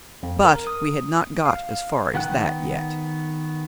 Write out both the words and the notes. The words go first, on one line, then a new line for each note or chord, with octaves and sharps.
But we had not got as far as that yet.
F2
A#4
D#6
F5
D#3 B3 F#5 G5 F#6